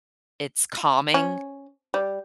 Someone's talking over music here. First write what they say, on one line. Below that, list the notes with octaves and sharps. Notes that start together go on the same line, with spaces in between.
it's calming,
C#4
G3